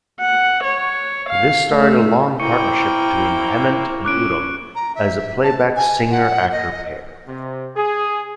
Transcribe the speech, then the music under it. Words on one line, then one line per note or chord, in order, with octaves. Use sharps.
This started a long partnership between Hemant and Uttam as a playback singer-actor pair.
F#5
C#5
F5
A3
A#3 C4 E4 A#4 G5 C#6 C#7
C#4 D6 F#6 D7
A#5
E5
A5
G#5
F#5
D#5
C3
G#4